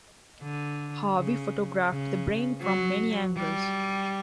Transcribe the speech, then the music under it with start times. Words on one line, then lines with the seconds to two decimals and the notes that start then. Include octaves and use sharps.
Harvey photographed the brain from many angles.
0.42 D3
1.15 C#3
1.89 C#3
2.62 F#3
3.37 G3